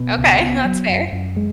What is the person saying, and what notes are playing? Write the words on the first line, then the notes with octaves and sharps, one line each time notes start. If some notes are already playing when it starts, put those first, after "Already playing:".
Okay, huh, that's fair.
Already playing: B2
C#2
B3
F#3
F#2
F#2
G#3